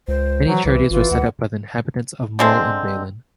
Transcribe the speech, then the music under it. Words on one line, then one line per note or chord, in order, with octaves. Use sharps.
Many charities were set up by inhabitants of Mol and Balen.
C#2 C5
E3 F#3
C2 E3
G#1 E3 F4
D2 F#5
D3 G#3 C4